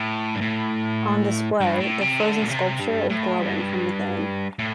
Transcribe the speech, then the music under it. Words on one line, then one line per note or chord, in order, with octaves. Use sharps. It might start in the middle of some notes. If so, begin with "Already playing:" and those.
On display, the frozen sculpture is glowing from within.
Already playing: A2
G2
A2
G2
A2
C3
D3
A#2
C3
G2
A2
G2
A2